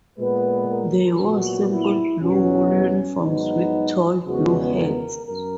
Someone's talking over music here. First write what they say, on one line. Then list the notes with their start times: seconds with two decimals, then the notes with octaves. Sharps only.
They wore simple blue wool uniforms with tall blue hats.
0.18 A#2 G#3 B3 B4
0.70 A#4
1.21 A#2 F#3 B3 F#4
1.70 E4
2.22 E2 B2 F#3 C#4
2.73 C#4
3.23 G#2 F#3 B3 D#4
4.26 E2 C#3 G#3 B3 F#4
4.77 A#4
5.27 F#2 A#4